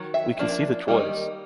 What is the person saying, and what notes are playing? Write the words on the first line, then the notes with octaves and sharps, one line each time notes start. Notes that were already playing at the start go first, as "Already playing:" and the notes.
We can see the toys...
Already playing: D#3 F#3
E5
F3 A#3 D4
D#3 G3 A#3 D#4